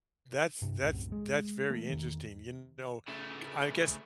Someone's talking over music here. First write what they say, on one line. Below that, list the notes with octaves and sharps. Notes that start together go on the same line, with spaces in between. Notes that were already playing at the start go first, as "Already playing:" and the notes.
That's that's that's very interesting, you know, g I guess
G2 C3
C2 F#2 A2 C3
G#3
E3 A3 A#3
E2 D#3
C#3 A3